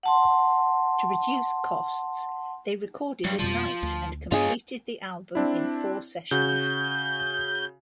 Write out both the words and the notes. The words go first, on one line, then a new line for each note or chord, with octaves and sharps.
To reduce costs, they recorded at night and completed the album in four sessions.
F#5 A5 C6
G2 F#3 G3
F2 B2 F3 G3
D2
G2 B3 D4 F4 G#4 C#5 D#5
C4 D4 E4
C#3 F#4 G6